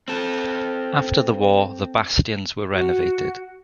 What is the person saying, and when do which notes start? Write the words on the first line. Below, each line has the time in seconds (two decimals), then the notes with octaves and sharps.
After the war the bastions were renovated.
0.08 C4 A4
2.72 F#4